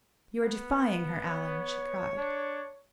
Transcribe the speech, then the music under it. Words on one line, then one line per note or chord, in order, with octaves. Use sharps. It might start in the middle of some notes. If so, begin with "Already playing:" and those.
"You are defying her, Allan!" she cried.
B3
C#5
D4